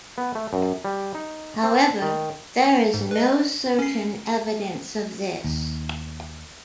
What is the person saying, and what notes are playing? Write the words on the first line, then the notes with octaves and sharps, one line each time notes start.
However, there is no certain evidence of this.
B3
A3
F#2
G3
D#4
C4
D#3
G#2
B4 D#5
C#4 C7
D#2